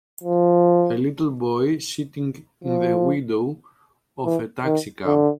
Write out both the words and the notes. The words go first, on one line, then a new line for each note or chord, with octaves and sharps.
A little boy sitting in the window of a taxi cab.
F3
F3
E3
D#3
D3